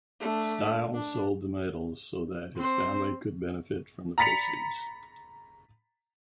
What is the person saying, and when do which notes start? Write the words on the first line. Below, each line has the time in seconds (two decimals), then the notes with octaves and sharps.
Stiles sold the medals so that his family could benefit from the proceeds.
0.20 A3 D4
0.94 D4
2.57 C4 C5
4.18 A#5 B5 A6 B6 C#7 F7